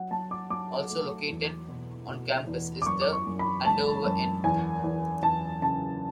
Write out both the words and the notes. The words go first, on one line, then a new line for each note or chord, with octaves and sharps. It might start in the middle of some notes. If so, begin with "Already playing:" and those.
Also located on campus is The Andover Inn.
Already playing: F#3 F#5
F#3 A5
D6
F#3 D6
A3
E2
B2
B2
E2
D6
F#2 C#6
D6
C#6
F#2
B5
G#3 A5
F#2
E2 G#5
E2
E2 A5
C#3 A5